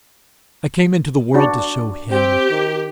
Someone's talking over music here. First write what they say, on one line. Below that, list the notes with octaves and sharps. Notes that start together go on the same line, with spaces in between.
I came into the world to show him.
D4 F#4
C4 G4
D#3